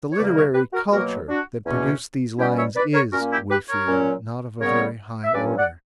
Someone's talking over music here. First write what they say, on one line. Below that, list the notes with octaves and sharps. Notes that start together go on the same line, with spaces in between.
The 'literary culture' that produced these lines is, we fear, not of a very high order.
C#5
E2 C#3 G3 A#3 B4 D5
A#4 C#5
G4 B4
F#4 A#4
B2 F#3 A#3 F#4 A#4
D4 F#4
E2 B2 A#3 C#4
B2 G3 C#4 E4 G4
C#5 E5
B4 D5
A#4 C#5
A#2 A#3 C#4 F#4 A#4
E4 G4
G4 B4
A#4 C#5
A#2 F#3 C#4
C#3 G3 B3 A#4 C#5
E5
G2 F#3 C#4 B4 D5
D5 F#5